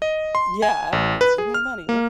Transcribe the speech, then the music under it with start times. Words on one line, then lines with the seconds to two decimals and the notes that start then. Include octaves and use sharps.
Yeah. Give me money.
0.02 D#5
0.35 C6
0.62 G#5
0.93 A1
1.21 B4
1.38 G#4
1.54 F6
1.89 A#3